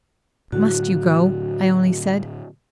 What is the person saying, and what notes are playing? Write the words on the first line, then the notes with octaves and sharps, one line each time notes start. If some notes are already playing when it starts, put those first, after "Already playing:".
"Must you go?" I only said.
A2 D3 F#3 F#4